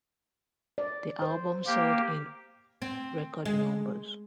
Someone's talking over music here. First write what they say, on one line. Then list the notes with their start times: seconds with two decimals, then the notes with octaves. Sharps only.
The album sold in record numbers.
0.78 D5
1.22 C5
1.67 A#3 G4
2.82 C4
3.45 G#3